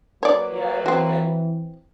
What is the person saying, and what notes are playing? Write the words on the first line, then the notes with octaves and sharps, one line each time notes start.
yeah, I don't think I
F#3 A#3 B4 C#5 D5
E3 C4 F#4